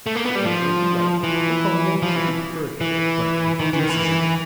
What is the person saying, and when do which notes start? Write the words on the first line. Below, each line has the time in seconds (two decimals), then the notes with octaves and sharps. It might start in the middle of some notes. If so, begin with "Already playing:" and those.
Get angry if you like, or call me names, if you prefer it; but, the deuce is in it.
0.06 A3
0.15 A#3
0.26 B3
0.35 G3
0.45 F3
1.23 E3
2.02 F3
2.16 E3
2.81 E3
3.60 D#3
3.73 E3
3.79 D#3
3.90 E3